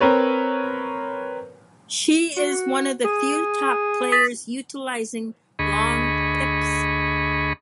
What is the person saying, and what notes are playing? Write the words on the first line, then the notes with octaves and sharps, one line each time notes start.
She is one of the few top players utilizing long pips.
C4 A#4 B4 C#5
F#4
G#4
D#6 A6 B6
D2 G#4 D#5 B5 C#6